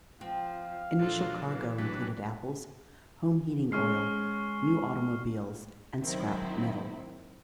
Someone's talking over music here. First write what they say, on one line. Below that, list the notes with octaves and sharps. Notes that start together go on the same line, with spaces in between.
Initial cargo included apples, home heating oil, new automobiles, and scrap metal.
F3 C4 F5
A#2 F#3 D4 F4 A4
E3
F#2 A2 F#3 G3 D4 B4
G#3 C#4 C#6 F6 C7
D#3 F#3 C4 E4